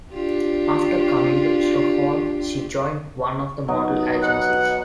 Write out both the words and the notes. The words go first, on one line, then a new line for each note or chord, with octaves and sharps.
After coming to Stockholm she joined one of the model agencies.
D4 F4 G4
F#3 B3 D#4
B2 F#5